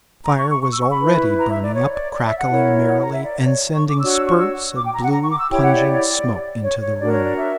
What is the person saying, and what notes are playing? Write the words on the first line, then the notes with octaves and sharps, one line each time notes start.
The fire was already burning up, crackling merrily, and sending spurts of blue, pungent smoke into the room.
A#5
C#6
C#6
C#6
E6
C#6
B5
E4 B4
A#5
E5
D5
C#5
D5
D5
E5
F#5
E4 A#4 C#5
F#5
A#5
E5
D5
C#5
C#6
D6
D4 F#4 C#5 E6
E6
C#6
E6
D6
G5
A#5
F#5
A#5
C#6
D6
E6
E4 G4 C#5 G5
F#5
D5
D5
C#5
C#5
D4 F#4 A#4 D5
C#5
D5
E5